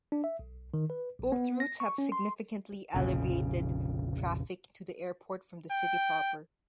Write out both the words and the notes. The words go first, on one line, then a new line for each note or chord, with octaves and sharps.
Both routes have significantly alleviated traffic to the airport from the city proper.
D4
E5
B1
D#3
B4
A#1
B3
A#6
C#6
C#4
C6
F1 A#1 C#3
G5